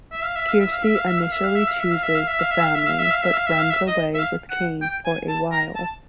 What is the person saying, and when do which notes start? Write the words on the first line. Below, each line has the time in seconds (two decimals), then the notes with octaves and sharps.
Kirsty initially choose's the family but runs away with Kane for a while.
0.12 E5
0.24 F5
0.36 E5
0.48 F5
0.60 E5
0.72 F5
0.83 E5
0.96 F5
1.08 E5
1.20 F5
1.32 E5
1.44 F5
1.56 E5
1.68 F5
1.80 E5
1.92 F5
2.03 E5
2.15 F5
2.28 E5
2.40 F5
2.51 E5
2.63 F5
2.75 E5
2.87 F5
2.99 E5
3.11 F5
3.23 E5
3.35 F5
3.47 E5
3.60 F5
3.71 E5
3.88 D#5
4.15 E5
4.19 F5
4.50 F#5
4.82 G5
5.05 G#5
5.29 A5
5.52 A#5
5.76 A5